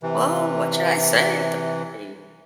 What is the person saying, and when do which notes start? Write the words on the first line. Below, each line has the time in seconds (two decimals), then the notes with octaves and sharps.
"Woah, what should I say at the party?"
0.03 C3 E3